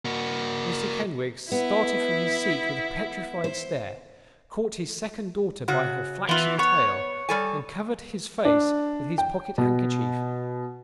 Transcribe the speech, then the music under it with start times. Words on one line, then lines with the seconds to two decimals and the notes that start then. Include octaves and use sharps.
Mr Kenwigs started from his seat with a petrified stare, caught his second daughter by her flaxen tail, and covered his face with his pocket-handkerchief.
0.05 A#3 F#4
1.52 B3 E4
3.44 C5
5.68 C#3 F#4
6.29 E3 B3 F4
6.59 B3 C#5
7.29 G3 A4 G#5
8.45 D4
9.18 G5
9.58 B2